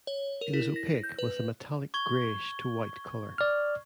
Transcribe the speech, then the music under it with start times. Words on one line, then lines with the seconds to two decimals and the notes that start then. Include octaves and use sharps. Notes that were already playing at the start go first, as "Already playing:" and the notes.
It is opaque with a metallic grayish to white color.
0.07 C#5
0.41 A#4
0.53 E4
0.76 A#6
1.03 G6
1.19 B4
1.94 C#6 G#6 G7
3.38 D5 F6